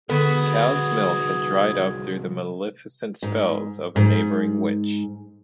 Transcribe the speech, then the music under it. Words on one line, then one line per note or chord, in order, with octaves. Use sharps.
The cow’s milk had dried up through the maleficent spells of a neighboring witch.
C2 D3 B3 F#4 G#4 A4
G#2
G#2